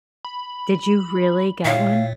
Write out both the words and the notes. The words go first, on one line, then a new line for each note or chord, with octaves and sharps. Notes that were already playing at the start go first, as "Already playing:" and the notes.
Did you really get one?
B5
A#2 E4 C#5 F5 G5